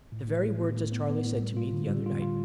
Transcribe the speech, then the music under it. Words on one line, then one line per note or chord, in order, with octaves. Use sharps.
The very words as Charley said to me the other night.
A2
A2
A2
B3
A2
B3
B3
A2
G3
F4
D3
G3
F4
F4